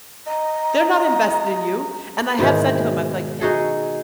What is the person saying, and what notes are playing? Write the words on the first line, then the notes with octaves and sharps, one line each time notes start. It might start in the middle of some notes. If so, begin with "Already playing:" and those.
They're not invested in you, and I have said to him, I was, like,
D#5 A#5
G#2 B2 D#3 E3
D#4 F#4 G#4 A4